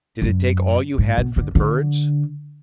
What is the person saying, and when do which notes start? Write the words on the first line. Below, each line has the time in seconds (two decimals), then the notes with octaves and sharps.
"Did it take all you had for the birds?"
0.22 F#2
0.98 G#2
1.17 B2
1.36 D3
1.55 D3